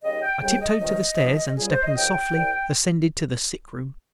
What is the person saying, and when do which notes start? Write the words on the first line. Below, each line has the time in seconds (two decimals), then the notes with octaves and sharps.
I tiptoed to the stairs and, stepping softly, ascended to the sick room.
0.03 D#2 C#3 G3 D#5
0.22 G5
0.41 D#2 C#3 G3 G5
0.62 D#5
0.80 C#2 C3 D#3 G3 D#5
1.19 G2 F3
1.57 C#2 C#3 G3 G#4
1.70 C5
1.84 D#5
1.96 D#2 C#3 F3 G5
2.34 C2 C3 G3